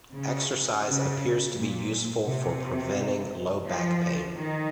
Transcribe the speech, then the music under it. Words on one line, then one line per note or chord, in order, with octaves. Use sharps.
Exercise appears to be useful for preventing low back pain.
C#3
C#3
A#2
C3
F3
D#3